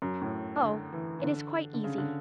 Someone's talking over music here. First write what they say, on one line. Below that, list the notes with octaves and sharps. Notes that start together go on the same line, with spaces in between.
'Oh, it is quite easy.
F#2
A2
D3
E3
E3
D3
D3
C#3
D3